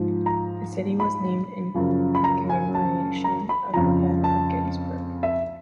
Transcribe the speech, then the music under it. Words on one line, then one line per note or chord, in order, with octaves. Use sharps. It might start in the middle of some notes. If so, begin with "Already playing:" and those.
The city was named in commemoration of the Battle of Gettysburg.
Already playing: G#2 F3
A#5
B5
F#2 C#3 F3
B5
A#5
G#5
A5
A#5
B5
F2 C#3 F3 A#5
A5
E5